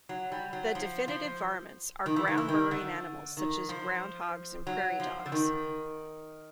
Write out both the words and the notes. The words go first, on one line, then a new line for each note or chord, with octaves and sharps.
The definitive varmints are ground burrowing animals such as groundhogs and prairie dogs.
F#3
G3
F#3
F3
F3
D#3
E3
D#3
E3
D#3
D3
D#3
F3
F#3
F3
D3
D#3